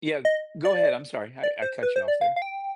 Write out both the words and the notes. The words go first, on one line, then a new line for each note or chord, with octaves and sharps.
yeah, go ahead. I'm sorry. I I cut you off there.
D#5
D5
D5
C5
B4
C5
D5
F5
F5
G5